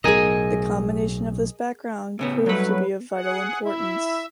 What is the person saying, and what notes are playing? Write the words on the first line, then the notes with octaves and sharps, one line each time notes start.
The combination of this background proved to be of vital importance.
B1 A2 G#4 A#4 D#5 G#5
A2 C#3 B3
G2 F#3 A3 B4
G#4 F#5
E4 E5